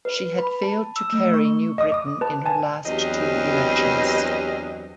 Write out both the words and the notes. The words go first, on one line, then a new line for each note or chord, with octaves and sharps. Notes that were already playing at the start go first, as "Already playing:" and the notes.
She had failed to carry New Britain in her last two elections.
B4
B5
A5
E6
A3
C#6
D#5 D#6
D6 D#6
B4 A5
G#5 A5
E2 G2 F#3 G3 C4 D#5